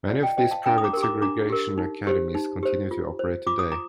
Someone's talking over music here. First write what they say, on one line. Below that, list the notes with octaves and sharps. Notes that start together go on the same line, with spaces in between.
Many of these private "segregation academies" continue to operate today.
F4 D5 F5
D#5 G5
C5 D#5 G5
F5 A5
D4 G5 A#5
D#6
A#5 D6
G4 A#4
A#5 D6
D4 A#5 D6
G4 A#4
D#4
G4 C5
D#4
G4 C5
F4
C5
F4 D6
D#6
A#5 D6